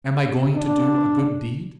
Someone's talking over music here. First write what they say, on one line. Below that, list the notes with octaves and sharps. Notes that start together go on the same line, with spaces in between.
Am I going to do a good deed?
D4